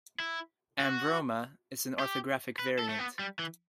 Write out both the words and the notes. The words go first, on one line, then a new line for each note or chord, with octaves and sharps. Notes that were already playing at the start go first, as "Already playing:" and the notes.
"Ambroma" is an orthographic variant.
E4
F#4
G4
B4
A4
A3
B3
G3
E3